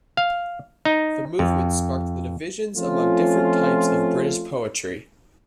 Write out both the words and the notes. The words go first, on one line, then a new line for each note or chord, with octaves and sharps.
The Movement sparked the divisions among different types of British poetry.
F5
D#4
F2
F3 A3 C4 C#4 F4